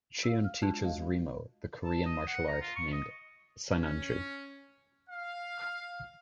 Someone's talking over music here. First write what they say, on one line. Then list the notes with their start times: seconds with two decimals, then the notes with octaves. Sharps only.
Chiun teaches Remo the Korean martial art named "Sinanju".
0.23 F5 E6
0.44 F6
0.62 G#3 D4 F4 F#4 A5 F#6
0.82 G#3 F4 D#5 F5
1.83 A5
2.06 D#5
2.27 F#5
2.48 A#5
2.61 F4
2.76 C#6
2.92 D#5
3.72 C#4
5.09 F5